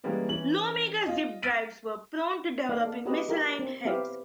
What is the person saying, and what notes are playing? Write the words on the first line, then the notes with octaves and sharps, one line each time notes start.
Iomega Zip drives were prone to developing misaligned heads.
E3 G3 G#3 A#3 B3 C#4
E3 C#4 F#7
F4 D#5
F6 A6 B6 D7 D#7
A#3 D#4 D5 F5
A4 F5
D#4 F#4 G4 B4 D#5
F4 G4 A#4
C4
B3 C4 E4 G4 E5 F5